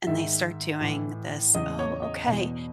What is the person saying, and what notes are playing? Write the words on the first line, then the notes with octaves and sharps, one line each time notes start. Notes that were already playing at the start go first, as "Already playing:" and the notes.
and they start doing this, "Oh, okay.
G#2 D#3 E5
A2 E3
E2 C#3 E3 D#5
C#5
D#5
E2 B2